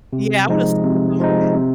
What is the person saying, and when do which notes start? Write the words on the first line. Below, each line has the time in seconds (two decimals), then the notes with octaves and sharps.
Yeah, I would have assumed that though.
0.13 C3
0.48 F3 G#3 D#4
0.83 C3
1.20 F3 G#3 D#4
1.54 C3